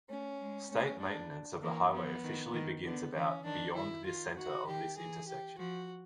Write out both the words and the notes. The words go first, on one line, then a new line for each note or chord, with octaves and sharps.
State maintenance of the highway officially begins about beyond the center of this intersection.
A3 C#4
G#3
A3 C#4
D4
E3 A#3
F3 B3
D#3
D#3
D3 B3
E3 C#4
D#3 D4
D#3 E4
D#3 F4
D#3 F#4
D#3 G4
E3 G#4
G4
F3 F#4